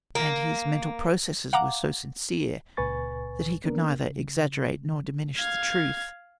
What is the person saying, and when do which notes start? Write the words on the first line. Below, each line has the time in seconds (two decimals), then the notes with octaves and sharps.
And his mental processes were so sincere that he could neither exaggerate nor diminish the truth.
0.15 A#3
1.53 F5 F#5 A#5 D6
2.77 C#2 A#2 B4 G#5 C#6 A6
3.64 A#3 B3 D4 A#4
4.09 C#3
5.38 F5 G#6